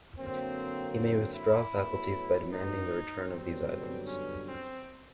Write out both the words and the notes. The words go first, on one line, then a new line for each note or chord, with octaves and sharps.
He may withdraw faculties by demanding the return of these items.
D3 F#3 A#3 C4
C4
E4
A2 F#3 B3
D#4
G2 D3 F#3 B3 C4
C#4
C4